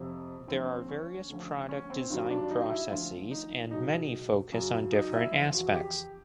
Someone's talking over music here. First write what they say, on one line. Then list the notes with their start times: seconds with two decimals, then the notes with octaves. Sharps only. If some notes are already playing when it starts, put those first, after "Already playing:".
There are various product design processes and many focus on different aspects.
Already playing: F2 C3 F3
0.47 D#2 D3 F3 C4
0.88 C#4
1.29 D2 D3 F3
1.69 C#4
1.90 C4
2.10 G2 D#3 F#3
2.30 D4
2.50 D#4
2.70 E4
2.90 D2 D3 F3 F4
3.31 D#4
3.71 C#2 B2 F#3 D#4
4.52 F#2 C#3 F#3
4.92 D#4
5.13 E4
5.32 E2 C#3 F3 F4
5.53 F#4
5.66 G#4
5.74 G4